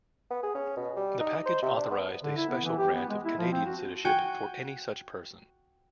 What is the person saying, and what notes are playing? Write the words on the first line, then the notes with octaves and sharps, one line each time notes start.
The package authorized a special grant of Canadian citizenship for any such person.
B3
G#4
C#4
B2
G3
D#4
C5
C3
D4
B3
D3
E4
B3
E3
G4
B3
G#3
E4
F3
C4
F#4
F#4 G5 G#5